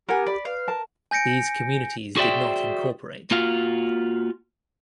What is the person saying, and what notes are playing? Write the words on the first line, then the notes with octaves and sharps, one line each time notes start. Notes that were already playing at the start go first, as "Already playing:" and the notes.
These communities did not incorporate.
B3 G4 A#4 F#5 G#5
D5 B5
B4 F5
A#4 A5
G#5 G6 A#6 C#7 D7
F#4 G#4 C5 D5 E5 G5
A#3 F4 F#4 F5